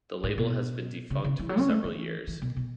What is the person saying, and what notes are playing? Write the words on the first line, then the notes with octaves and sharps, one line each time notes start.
The label has been defunct for several years.
A2
B2
C#3
C#3
E3
F#3
C#4
A3
E3
E3
B2
B2